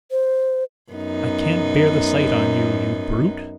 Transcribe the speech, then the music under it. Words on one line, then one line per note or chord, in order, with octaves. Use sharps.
I can't bear the sight on you, you brute.'
C5
F#2 B3 D#4